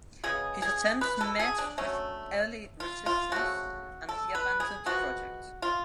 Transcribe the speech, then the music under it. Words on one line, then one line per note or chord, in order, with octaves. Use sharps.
His attempts met with early resistance, and he abandoned the project.
C#3 G#3 B3 G#4
G#4
B4
A4
G#4
D4
D3 F#3 A3 C#4
F4
F4
C#3 F3 A3 F#4
A4
B4
G#4
F3 G#3 B3 F#4
F4